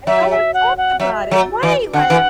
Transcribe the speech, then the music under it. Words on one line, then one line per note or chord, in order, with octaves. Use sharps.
and no one talked about it Right, like,
F#3 E5
E5
F#5
F#5
F#3 E5
F#3
E3
D3 F#5
E3